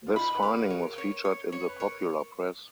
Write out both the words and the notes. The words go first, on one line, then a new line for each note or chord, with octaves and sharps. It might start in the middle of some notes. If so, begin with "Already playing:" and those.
This finding was featured in the popular press.
F4
D#4 B5
B4
A#4 F5
F#4
G#4
A#4 C#5
C#5
C#5
C#5
B4
A#4 C#5